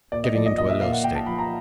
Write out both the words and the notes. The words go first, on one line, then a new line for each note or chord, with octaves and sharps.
You're getting into a low state.
A#2 D5
D#5
F3 D5
D#5
A#2 D#5
E5
A#2 F5
F#5
A#2 G5
A5
F3 B5
A#5